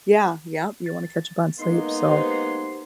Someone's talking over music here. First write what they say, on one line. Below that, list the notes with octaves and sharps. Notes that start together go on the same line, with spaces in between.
Yeah, yep, you want to catch up on sleep, so
A6
G#3 A#3 B3 D#4 C6
G4 B4 C5